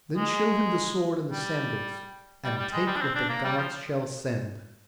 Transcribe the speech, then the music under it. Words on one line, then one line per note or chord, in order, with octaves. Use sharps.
Then show him the sword and the sandals, and take what the Gods shall send.'
G#3
G3
G3
G3
G#3
G3
D4
C4
D4
A#3
G3
F3